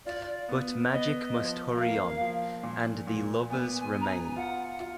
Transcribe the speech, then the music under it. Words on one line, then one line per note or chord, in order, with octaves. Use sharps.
But magic must hurry on, and the lovers remain.
F4 D5
B3
B3 D#5
F3
A#3 F5
F3
A#2
A#2
B3 G#5
G#5
B3
A#5
G#5
F4 F#5
F4